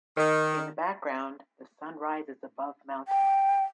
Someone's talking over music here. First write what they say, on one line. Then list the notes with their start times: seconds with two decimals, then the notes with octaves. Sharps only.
In the background, the sun rises above mountains.
0.17 D#3
3.08 G5